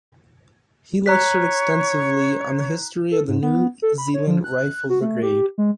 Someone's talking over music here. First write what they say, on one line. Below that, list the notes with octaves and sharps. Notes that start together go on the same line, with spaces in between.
He lectured extensively on the history of the New Zealand Rifle Brigade.
C#5 A#5 F#6 B6
A4
G#2
B3
A4
B5
C#5
F3
F#6
F#4
A3
G4
G#3